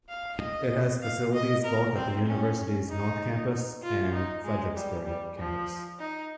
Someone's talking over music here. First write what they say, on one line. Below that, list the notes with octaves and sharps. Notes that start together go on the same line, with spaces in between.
It has facilities both at the university's North Campus and Frederiksberg Campus.
F5
D#5
F5
D#5
A#4
C4
C#4
D#4
F4
D#4
G#3
G3
G3
F3
D#4